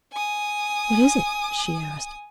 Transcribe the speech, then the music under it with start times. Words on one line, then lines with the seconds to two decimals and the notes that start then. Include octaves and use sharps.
'What is it?' she asked.
0.12 G#5 D#6